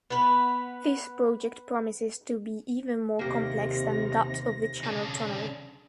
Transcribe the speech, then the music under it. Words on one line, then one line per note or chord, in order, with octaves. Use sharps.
This project promises to be even more complex than that of the Channel Tunnel.
B3 B4
D#2 C3 A#3 G4 A#6
C#3 D4